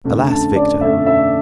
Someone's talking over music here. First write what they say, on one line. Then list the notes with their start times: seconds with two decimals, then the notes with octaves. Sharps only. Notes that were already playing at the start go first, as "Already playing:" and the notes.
Alas, Victor!
0.04 F2 D3 A3 C#4
0.31 A5
0.56 D5
0.81 F2 D3 A3 C#4 E5
1.06 E5